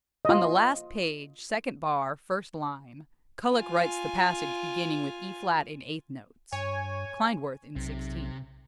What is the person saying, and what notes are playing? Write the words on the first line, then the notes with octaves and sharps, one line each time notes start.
On the last page, second bar, first line, Kullak writes the passage beginning with E flat in eighth notes, Klindworth in sixteenths.
F4 D#5
F4 G#5
G2 C#5 G#5
B1 C3